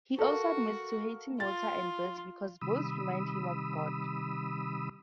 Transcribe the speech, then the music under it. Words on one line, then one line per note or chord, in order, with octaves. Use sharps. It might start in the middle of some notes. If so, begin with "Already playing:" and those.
He also admits to hating water and birds because both remind him of God.
F#4 A4 A#4 F5
F4 A6
C3 D#3 G3 B5 D#6 E6